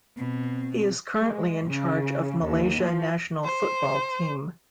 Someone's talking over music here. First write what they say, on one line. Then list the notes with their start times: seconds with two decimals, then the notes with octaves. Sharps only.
He is currently in charge of Malaysia national football team.
0.17 B2 C4
1.19 G#3
1.67 C#3
2.43 D#2
2.82 F3
3.44 C5